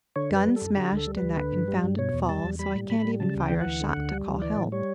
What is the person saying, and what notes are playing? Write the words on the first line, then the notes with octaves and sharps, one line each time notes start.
Gun smashed in that confounded fall, so I can't even fire a shot to call help.
D3 C#5
F#2
B4
G3
A4
F#2
D3 G4
D2
A4
G3
D2 B4
D3
G2
G3
G2
B2 C#5
E2
G3 A5
E2
G3 B5
A2
A2 B5
G3
C#3 A5
D2
G5
E3
F#5
D2
D3
D2
G3
D2
E3 D5
A2
G3 C#5